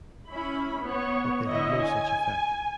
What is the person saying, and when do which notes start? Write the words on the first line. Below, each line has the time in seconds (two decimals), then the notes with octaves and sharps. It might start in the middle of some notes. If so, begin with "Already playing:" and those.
But they have no such effect.
0.28 C#4 E4 B5
0.81 B3 C#5
1.46 D3 E4 C#5 D#5 E5
1.78 G#5